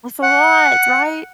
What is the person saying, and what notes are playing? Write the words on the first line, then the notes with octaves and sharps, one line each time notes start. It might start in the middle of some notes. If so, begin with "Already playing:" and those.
That's a lot, right?
F#5